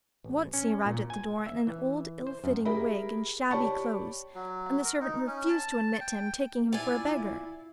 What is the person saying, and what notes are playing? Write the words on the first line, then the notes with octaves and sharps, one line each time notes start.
Once he arrived at the door in an old, ill-fitting wig and shabby clothes and the servant refused to admit him, taking him for a beggar.
A1
C#4
A#2
G#5
E5
E3
C5
F#2
G4 G#4 A#4 E5 B5
G4 C#5 D5 A5 B5 C#6
F#3
A#4
D#4
C#4
A5
G5
E4 F4 D5 G#5